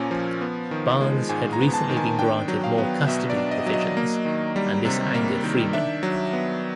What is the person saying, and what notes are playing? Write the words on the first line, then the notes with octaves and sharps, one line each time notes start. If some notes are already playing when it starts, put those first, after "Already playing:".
Barnes had recently been granted more custody provisions and this angered Freeman.
Already playing: A#2 F3 A#3 C#4 G#5
F3
B3
D#3
G#3
G#2 G#5
A#5
B3
A5
D#3
G#5
D4 G5
F#3
F5
B3
B2 E5
D5
D4
D#5
F#3
D#5
A#3
D#3
G3
C3
A#3
D#3
D4 E5
F#3
B3